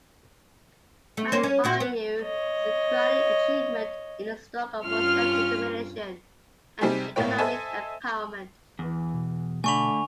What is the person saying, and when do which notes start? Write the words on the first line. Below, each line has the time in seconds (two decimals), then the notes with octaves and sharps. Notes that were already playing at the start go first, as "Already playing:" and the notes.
Mound Bayou is a crowning achievement in the struggle for self-determination and economic empowerment.
1.17 A3
1.32 A#3 C#4 C5
1.43 C#4
1.64 A#2 E4 F#4
1.80 B3
2.22 C#5 D#5
4.87 G2 C#4 F4 F6
6.81 C3 G3 C4 D#4 G4 G#4
7.16 G#1 A2 A3 A#3 C#5 G5
7.38 A4 C5 D#5 E5 G#5 A5
8.79 E2 E3
9.13 B2
9.64 D3 A3 E5 G#5 B5 C#6 F7